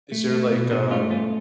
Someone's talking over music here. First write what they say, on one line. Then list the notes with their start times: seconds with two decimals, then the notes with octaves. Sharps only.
is there like, um,
0.12 A3
0.31 A3
0.52 B2
0.71 B2 B3 D4
0.91 A3 C#4 F4
1.10 A3 C#4 F4